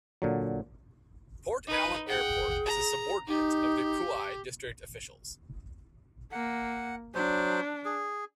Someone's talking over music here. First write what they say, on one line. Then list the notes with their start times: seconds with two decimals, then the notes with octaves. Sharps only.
Port Allen Airport is a subordinate of the Kauai District officials.
0.22 A#2 D3 F#3
1.67 D#4 B4
2.07 G#4 F#5 G5
2.66 A#5
3.28 D#4 G4
6.32 A#3 F#5
7.15 F#3 D4 C5
7.85 G#4